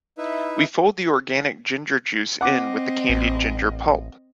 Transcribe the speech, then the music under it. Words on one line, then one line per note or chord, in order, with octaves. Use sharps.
We fold the organic ginger juice in with the candied ginger pulp.
D#4 E4 B4 E5
C4 D#5 F#5 D6
A1